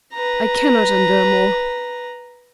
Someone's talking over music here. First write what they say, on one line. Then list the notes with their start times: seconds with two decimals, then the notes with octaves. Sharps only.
I cannot endure more!
0.13 B4 A#5